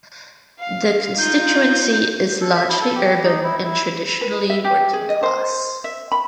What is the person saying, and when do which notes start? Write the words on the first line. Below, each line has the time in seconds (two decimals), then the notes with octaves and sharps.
The constituency is largely urban and traditionally working-class.
0.59 F5
1.18 D#4 F4 G6
2.41 A4
2.55 E5
2.69 E4
2.81 A4
2.95 G4
3.24 D#4
3.44 E4
3.64 E4
4.21 B4
4.50 E5
4.64 G4
4.93 G#4
5.09 D#5
5.23 C5
5.84 E5
6.12 B5